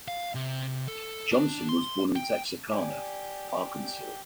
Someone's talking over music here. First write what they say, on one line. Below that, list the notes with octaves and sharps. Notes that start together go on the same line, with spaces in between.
Johnson was born in Texarkana, Arkansas.
F5
C3
A4
D4
C6
G5
G4 D5 G#5
G4